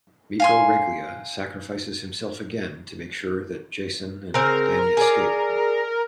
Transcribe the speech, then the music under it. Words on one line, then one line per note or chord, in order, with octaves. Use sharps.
Miko Reglia sacrifices himself again to make sure that Jacen and Danni escape.
F5 G#5 C6
C#3 C4 A#4
G#4 D5